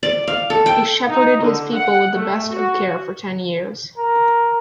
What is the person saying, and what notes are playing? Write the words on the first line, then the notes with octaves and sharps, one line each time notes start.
He shepherded his people with the best of care for ten years.
D5
F5
A4
G5
D#4
D3
F#5
A3
F#4
A#4